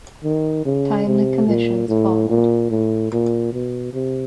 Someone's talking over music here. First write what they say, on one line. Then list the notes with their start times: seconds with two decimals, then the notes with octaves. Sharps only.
Timely commissions followed.
0.24 D#3
0.65 C#3
1.06 C3
1.47 A#2
1.88 A2
2.29 A#2
2.70 A2
3.12 A#2
3.53 B2
3.93 C3